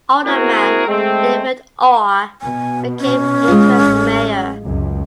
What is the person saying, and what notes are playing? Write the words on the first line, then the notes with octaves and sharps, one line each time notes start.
Alderman David Orr became interim Mayor.
A#3 C4 E4 F#4 G#4 A#4
G#3 A3 C4
B2 G#5
C#4
G#3 F4
A1
C#2 F#2